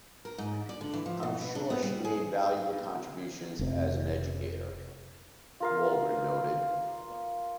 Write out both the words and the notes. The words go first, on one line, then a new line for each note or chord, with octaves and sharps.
"I'm sure she made valuable contributions as an educator," Walgren noted.
A#4
G#2
D5
D3
E3
F3
B2
B3
D4
B3
G3
G#4
F1 C3
F4 A#4 F5